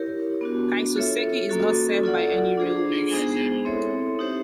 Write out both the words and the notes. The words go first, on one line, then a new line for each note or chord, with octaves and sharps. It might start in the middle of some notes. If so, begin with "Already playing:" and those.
Kisosaki is not served by any railways.
Already playing: E4 G4 A#4 C#5
B3 D4 F#4
F4 A4 C#5 E5
A#3 C#4 F#4 A4
F4 A4 D5 F#5
D4 F4 G#4 C5
G#3 B3 D#4 G#4 C5
C4 E4 A4 C#5 E5
D#4 G4 C5 E5